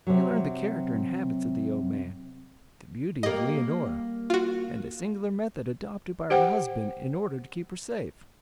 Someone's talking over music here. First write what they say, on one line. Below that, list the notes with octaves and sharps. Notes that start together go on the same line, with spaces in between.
He learned the character and habits of the old man, the beauty of Leonora, and the singular method adopted by her husband in order to keep her safe.
C3 F#3
G3 A#3 D#5
F4 F#4
G4 C5 F#5 G5